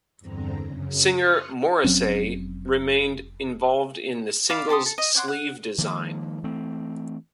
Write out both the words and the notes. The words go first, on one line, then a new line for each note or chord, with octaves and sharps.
Singer Morrissey remained involved in the singles' sleeve design.
E2 G2 D3 C4 A#5
F#2 C#3
C6 C#6 D#6 F6 F#6 C#7
F1 F#3 C4 C#4
D5 F5 B5
G4 A4 C6 D#6
A4
D#5
C#5 D5 F#5 C6
F#5
D#3 F3 G#3 A#3
E3 A3 C4